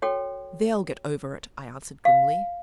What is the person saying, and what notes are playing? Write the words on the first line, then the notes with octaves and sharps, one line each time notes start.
'They'll get over it,' I answered, grimly.
F#4 A4 C#5 G5
F5